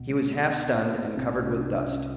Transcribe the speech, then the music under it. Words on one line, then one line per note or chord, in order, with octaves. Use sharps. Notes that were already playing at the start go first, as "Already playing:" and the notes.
He was half stunned and covered with dust.
Already playing: C#2 B2
G#3
B3
C2 C3 C4
C#4
D4
C#4